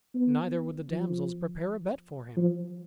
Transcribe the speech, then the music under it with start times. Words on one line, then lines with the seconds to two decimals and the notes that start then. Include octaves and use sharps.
Neither would the damsels prepare a bed for him.
0.15 B3
0.90 F3
2.37 F3